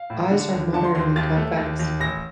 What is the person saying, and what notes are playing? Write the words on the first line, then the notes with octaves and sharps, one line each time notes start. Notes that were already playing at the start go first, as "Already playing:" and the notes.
Eyes are moderately convex.
Already playing: F5
A2
D3
D#2
D3 A5
C6
D#2 C6
D#2 A6
A3
D#2
D#2
A1 A#6